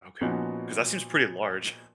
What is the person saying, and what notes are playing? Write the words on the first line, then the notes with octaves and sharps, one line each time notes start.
Okay, 'cause that seems pretty large.
A#2 F3 B3 C#4 D#4 F#4